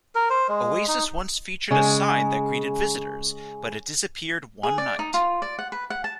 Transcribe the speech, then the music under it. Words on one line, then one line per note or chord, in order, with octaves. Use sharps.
Oasis once featured a sign that greeted visitors but it disappeared one night.
A#4
C5
G#3
D#4
C#3 G#3
G#4
D5
D#4
F4
D5
F#5
B4
F#5
A5